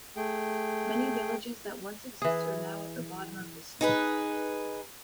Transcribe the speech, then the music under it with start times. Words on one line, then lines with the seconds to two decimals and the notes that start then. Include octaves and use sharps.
Many villages that once existed are now at the bottom of the sea.
0.16 A3 G#4 G5
2.22 E3 G#4
3.81 D#4 G#4 B4